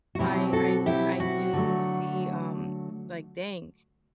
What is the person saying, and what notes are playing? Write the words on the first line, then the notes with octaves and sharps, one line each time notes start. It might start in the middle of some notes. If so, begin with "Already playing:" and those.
I I I do see, um, like dang,
F#4
B2 F#3 C4 E4 G4
F#4 A4
E4 G4
F#4
D3 F#3 A3